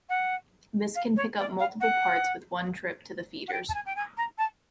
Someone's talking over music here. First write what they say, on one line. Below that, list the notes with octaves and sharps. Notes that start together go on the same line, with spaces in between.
This can pick up multiple parts with one trip to the feeders.
F#5
F5
C#5
D5
F5
F#5
F#5
G5
A5
G#5
G5
G#5
A#5
A5